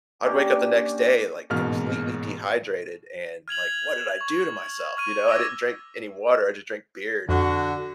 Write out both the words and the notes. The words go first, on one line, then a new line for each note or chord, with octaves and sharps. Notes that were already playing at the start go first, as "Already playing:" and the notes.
I'd wake up the next day, like, completely dehydrated and, like, "What did I do to myself?" You know? I didn't drink any water, I just drink beer.
A#3 C#4 D4 G4
A1 G#2 B2 A#3 F6
F6 G#6 F7 F#7
C#6
C#6 F6 D#7
D6 E6 G#6 A#6
F2 D3 F#4